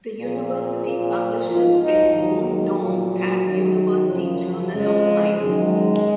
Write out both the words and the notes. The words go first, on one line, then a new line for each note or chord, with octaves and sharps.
The University publishes its own "Dong Thap University Journal of Science".
A#2 F3 G#4
A#2 F3
G#2 F3 F4
D#4
D#2 D#3 F#3 D#4
G#3
A#2 F3 F#3
F#2 D#3 F#3
F#2 C#3 F3
F2 C#3 F3 G#3
F#2 D#3 F#3 G#3